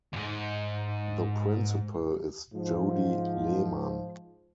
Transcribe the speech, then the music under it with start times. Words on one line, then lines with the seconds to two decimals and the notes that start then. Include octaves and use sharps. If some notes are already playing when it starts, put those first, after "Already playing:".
The principal is Jody Lehmann.
0.13 D2 G#2
2.54 G#2 F3